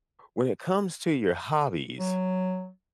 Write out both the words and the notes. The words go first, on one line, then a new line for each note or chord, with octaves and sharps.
when it comes to your hobbies,
F#3